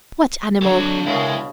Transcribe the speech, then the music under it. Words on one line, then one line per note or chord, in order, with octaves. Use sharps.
"What animal?"
D3 F#3 A4 C#5 F5
C#2 B2 G#3 E4 A#4